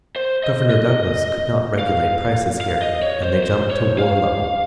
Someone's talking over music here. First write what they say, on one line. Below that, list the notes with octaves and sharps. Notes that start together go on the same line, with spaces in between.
Governor Douglas could not regulate prices here, and they jumped to war level.
C5
D#5
D#5
F5
F5
D#5
C#5
C5
C5
C#5
F5